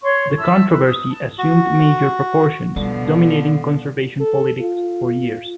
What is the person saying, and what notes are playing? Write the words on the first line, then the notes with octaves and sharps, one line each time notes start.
The controversy assumed major proportions, dominating conservation politics for years.
C#5 C6 C#6
E5 A5 E6
B4
D#6
A5
F#4
B2 D3 F3 G3
A4
F4